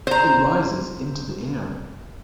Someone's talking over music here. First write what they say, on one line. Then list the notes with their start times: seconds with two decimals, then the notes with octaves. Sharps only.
It rises into the air.
0.07 C5 A#5